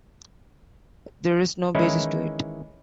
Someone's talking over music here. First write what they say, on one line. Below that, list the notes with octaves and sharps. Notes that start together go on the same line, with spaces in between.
There is no basis to it.
D#3 E3 G#3 C#4 D#4 E4